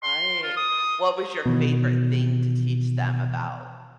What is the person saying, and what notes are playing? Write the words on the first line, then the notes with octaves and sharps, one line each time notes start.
Right. What was your favorite thing to teach them about,
C6
F4
D#6
B2 D#3 E3